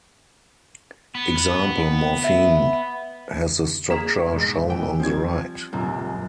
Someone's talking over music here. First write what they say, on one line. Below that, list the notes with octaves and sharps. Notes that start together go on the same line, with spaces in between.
Example: Morphine has the structure shown on the right.
B3
E5
A#3 G#4 B6 E7
B1 G#2
E3 G5
F3 G3 C4 G#6
D#1 C#2 F#2 C3